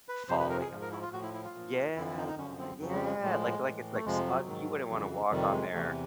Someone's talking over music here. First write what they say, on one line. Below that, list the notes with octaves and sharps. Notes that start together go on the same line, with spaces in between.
falling apart. Yeah, yeah, like like it's like s and you wouldn't wanna walk on there.
B4
F2 C3 F3 C5
B4
A#4
G#4
G#2 F3
A#4
E4
F4
A2 F3 F#4
E4
E4
F4
A#2 F3
F2 D3 F3 E4
E4
D#4
D#4
F#2 D3 F3 C#4
C4
F2 C#3 F3 F#3
G#3
G3
A2 F3 G#3
A2 E3
A3
F2 C3 F3 G#3
F#3
G#2 D#3
F2 C#3 E3
F2 C3 D#3 G3
G#3
E2 C3 E3 A3